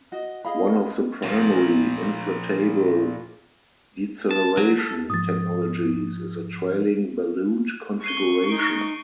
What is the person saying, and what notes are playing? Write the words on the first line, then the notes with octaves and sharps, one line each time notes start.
One of the primary inflatable deceleration technologies is a trailing ballute configuration.
F#4 D#5
G#4 D#5 F5 B5
A#2 F3
A5
F#3
A4
G#2 F3 D#6 A6
C#6 C7 D#7 G7
D#4 D7